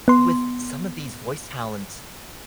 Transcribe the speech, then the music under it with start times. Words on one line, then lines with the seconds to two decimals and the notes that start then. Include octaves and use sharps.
with some of these voice talents,
0.08 B3 C6